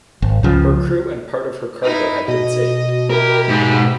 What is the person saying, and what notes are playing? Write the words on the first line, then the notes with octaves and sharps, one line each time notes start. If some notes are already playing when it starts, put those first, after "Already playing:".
Her crew and part of her cargo had been saved.
G#1
C#2 C#3 F3
D#4 E4
B2 D#5
E4 G4 A#4
G#2